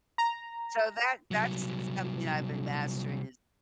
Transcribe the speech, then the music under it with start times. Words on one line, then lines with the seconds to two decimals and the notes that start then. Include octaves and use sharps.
So, that that's s something I've been mastering is
0.18 A#5
1.31 C2 F#3